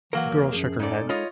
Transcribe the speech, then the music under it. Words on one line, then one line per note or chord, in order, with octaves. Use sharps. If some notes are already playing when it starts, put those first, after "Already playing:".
The girl shook her head.
E3 F#3 A#3 A#4 F#5
E2 E3
F#2 F3 G#4
G#2 G#3 D#4 A4 D5
F4 C#5 D#5